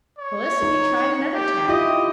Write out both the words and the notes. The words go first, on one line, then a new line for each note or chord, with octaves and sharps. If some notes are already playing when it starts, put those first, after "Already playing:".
Felicity tried another tack.
C#5
D#4
G4
E4 F4 G4 D#5